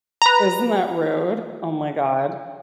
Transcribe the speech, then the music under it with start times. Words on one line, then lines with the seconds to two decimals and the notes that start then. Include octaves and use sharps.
Isn't that rude? Oh my god.
0.22 B4 A#5